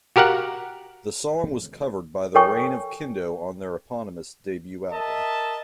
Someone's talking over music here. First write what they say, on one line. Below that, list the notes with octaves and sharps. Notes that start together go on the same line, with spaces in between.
The song was covered by The Reign of Kindo on their eponymous debut album.
F#4 G4 A#4 F5 F#5
A4 A#4 C#5 G5 G#5 C#6
A#4 D#5 E5 A5